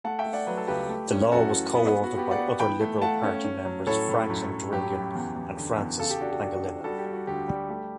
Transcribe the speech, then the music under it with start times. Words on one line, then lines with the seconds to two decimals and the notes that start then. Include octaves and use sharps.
The law was co-authored by other Liberal Party members, Franklin Drilon and Francis Pangilinan.
0.04 A3 F#5 A5
0.19 E5 G5
0.26 A3
0.33 D5 F#5
0.47 F#3 B4
0.57 A4
0.67 C#2 G4 B4
0.89 A3
1.11 C#4
1.32 F#2 F#4 A4
1.53 E3
1.75 B3
1.96 B3
2.04 F#4
2.18 B3 G4
2.31 D5 F#5
2.39 B3
2.60 E3 G5 B5
2.81 A3
3.02 A3 F#5 A5
3.24 C#4
3.44 C#4
3.65 F#3
3.87 A2 A4 C#5
4.09 A2
4.30 F#2
4.50 F#2
4.72 F#3 G4
4.93 F#2
5.15 E2
5.36 E2
5.57 D3
5.78 E2
5.99 C#3 A4
6.10 G4
6.20 D4 F#4
6.31 G4
6.42 D4
6.64 D4
6.84 G3 F#4 A4
6.99 G4
7.06 G3
7.13 F#4
7.27 D2 G4
7.48 G3
7.70 A3 G4